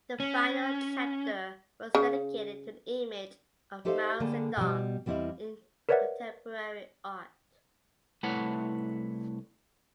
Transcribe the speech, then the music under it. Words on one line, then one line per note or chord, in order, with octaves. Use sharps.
The final chapter was dedicated to the image of Mao Zedong in contemporary art.
C#4
C#3
D#4 G4 A4 C5 E5 F5
D3 G3 A#3 D4 G#4 A4
B2 G3
E2 G3 C4 E4 D#5 F5
A#4 B4 C#5 D5 E5 F#5
C2 A3 E4 B4 C#5 F#5